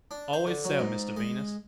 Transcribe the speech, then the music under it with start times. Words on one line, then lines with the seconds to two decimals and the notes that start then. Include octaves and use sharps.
'Always so, Mr Venus.
0.11 D4
0.33 C5
0.47 D3
0.65 F#3
0.79 G#2
1.17 G#3